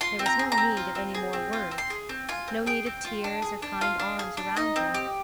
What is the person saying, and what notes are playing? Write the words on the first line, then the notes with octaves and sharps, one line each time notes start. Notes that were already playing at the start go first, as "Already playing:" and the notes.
There was no need of any more words, no need of tears or kind arms around him.
F4 C6
C4
A#5
G#4
A#5
C4
F4
C4
G#4
C4
F4
C4
C6
G#4
C4
F4 G#5
C4
G#4 G5
C4
F4
D4
G#4
D4
F4 F5
D4
G#4
D4
D#4 D#5
C4
G4